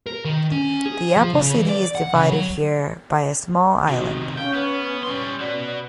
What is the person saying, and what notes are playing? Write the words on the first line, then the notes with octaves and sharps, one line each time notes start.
The apple city is divided here by a small island.
A#4
D#3
C#4
G#4
F3
C#3
E3
D5
F#5
C#3
F#3
C3 D#3 F#4 D#5
C#4 F5 G5
B3 B4
G3 C#4 C6
F#4 B4 D5